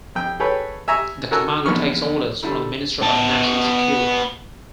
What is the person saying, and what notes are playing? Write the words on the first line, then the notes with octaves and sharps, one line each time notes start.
The commander takes orders from the Minister of National Security.
F2 G5
G#4 A4 B4 C#5 G5
E5 G#5 A#5 C#6
F#4 A4 A#4 G#5 E6 F#6
A#1 E2 D#3 C#6 F6
D3 G3 E4
B3 A5